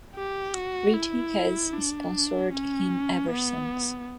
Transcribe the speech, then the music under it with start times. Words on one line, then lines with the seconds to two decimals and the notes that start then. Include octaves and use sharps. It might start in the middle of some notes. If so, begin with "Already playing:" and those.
Ritchey has sponsored him ever since.
0.15 G4
0.54 F#4
0.94 E4
1.73 D4
2.52 C#4
3.30 B3